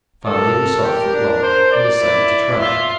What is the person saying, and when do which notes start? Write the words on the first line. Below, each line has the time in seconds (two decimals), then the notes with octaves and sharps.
Finally we saw a foot-log, and decided to try it.
0.25 A4 A#4
0.84 G4
1.13 D4
1.43 C5
1.71 D5
2.00 E4
2.58 F4 E5